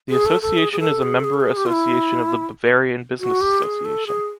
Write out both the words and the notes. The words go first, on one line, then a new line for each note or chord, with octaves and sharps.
The association is a member association of the Bavarian Business Association.
G#4
A4
A4
G#4
G#4
A4
G#4
A4
G#4
A4
G#4
G4
F4
E4
F#4
G4
G#4
A4
G#4